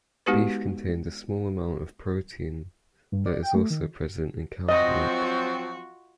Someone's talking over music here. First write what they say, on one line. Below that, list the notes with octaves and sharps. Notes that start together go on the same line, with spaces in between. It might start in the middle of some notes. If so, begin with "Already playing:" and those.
Beef contains a small amount of protein that is also present in cow's milk.
G#3 B3 D#4 F#4 G4 B4
G2
D5
G5
A3
D#3
F3 F#3 C4 F4 F#4 D#5